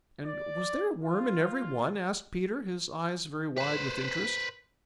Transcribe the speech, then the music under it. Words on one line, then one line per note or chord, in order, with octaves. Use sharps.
"And was there a worm in every one?" asked Peter, his eyes very wide with interest.
D5
F4
B4 C5